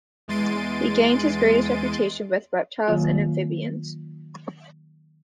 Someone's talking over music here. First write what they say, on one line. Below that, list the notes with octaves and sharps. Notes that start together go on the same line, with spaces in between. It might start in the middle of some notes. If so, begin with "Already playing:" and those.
He gained his greatest reputation with reptiles and amphibians.
E2 G#3 C6 A6 D7 D#7
D#3 F#3 A#3 F4